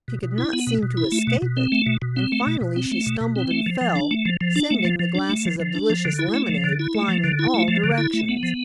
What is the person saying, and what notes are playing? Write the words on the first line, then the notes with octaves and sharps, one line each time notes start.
She could not seem to escape it, and finally she stumbled and fell, sending the glasses of delicious lemonade flying in all directions.
B2
B2
E4
B3
B2
B2
E4
A3
B2
B2
C4
A3
B2
B2
C4
A3
B2
B2
C4
A3
B2
B2
C4
A3
F3
F3
D4
A3
F3
F3
D4
A3
F3
F3
D4
A3
F3
F3
D4
F3
D3
E4
A3
F3
D3
E4
A3
F3
D3
E4
A3
F3
D3
E4
A3
B3
F3